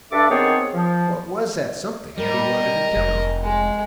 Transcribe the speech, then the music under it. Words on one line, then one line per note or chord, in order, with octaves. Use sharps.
What was that something that he wanted to tell me?
G2 D4 A4 E5 D6
D#3 B3 C4 G#4 C5 C#5
F3
G3 A#4 D#5
F1
G#3